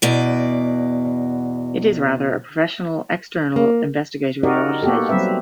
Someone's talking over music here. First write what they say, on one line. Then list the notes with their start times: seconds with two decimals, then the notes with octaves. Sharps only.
It is, rather, a professional external investigatory audit agency.
0.02 E2 B2 D5
3.56 A#3
4.43 D#4 F#4 G4 A#4 D5 D#5
4.82 A#3 B3 F#4 G4 A4
5.09 F#3 G3 C4 B4 E5